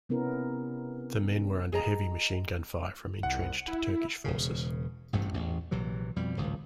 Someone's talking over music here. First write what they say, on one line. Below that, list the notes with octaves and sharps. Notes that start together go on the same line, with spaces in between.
The men were under heavy machine gun fire from entrenched Turkish forces.
C3 B3 C#4 E4 A#4
C#4
G#4 D#5 A#5
C2 F#5
E4
E1 C#3
A1 G2 C3 A3
A1 E2
A#1 C3 E3 F#3
F2 B2 G3
D1 G#1 C#2